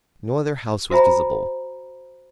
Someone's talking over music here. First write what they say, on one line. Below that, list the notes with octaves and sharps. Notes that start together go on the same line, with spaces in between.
No other house was visible.
F#4 C5 E5 G#5 A#5 B5